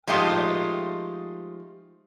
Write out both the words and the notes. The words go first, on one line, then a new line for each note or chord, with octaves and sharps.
I'd love it.
F3 G#3 A3 D#4 F4 G4